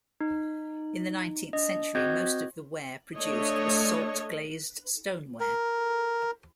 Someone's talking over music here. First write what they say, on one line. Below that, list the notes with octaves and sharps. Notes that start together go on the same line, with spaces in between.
In the nineteenth century most of the ware produced was salt-glazed stoneware.
D#4
D4 D#5
C4 F#4 D#5 G6 G#6
A3 D4 C#5 D#5
A#4